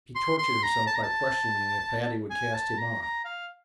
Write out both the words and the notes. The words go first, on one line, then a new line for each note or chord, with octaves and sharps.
He tortured himself by questioning if Hattie would cast him off.
C6
C6
A#5
A5
A#5
A5
G#5
A5
A#5
A#5
F5